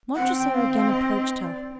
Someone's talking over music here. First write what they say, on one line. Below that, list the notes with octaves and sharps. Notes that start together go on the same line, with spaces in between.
Montresor again approached her.
C4 F#5
G5
F5
F5
D#5
D#5
D5